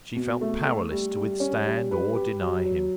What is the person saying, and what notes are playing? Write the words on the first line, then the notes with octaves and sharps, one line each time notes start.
She felt powerless to withstand or deny him.
B2
A3
A3
G3
G3
C#4
G3
B4
G4
F#3
F#3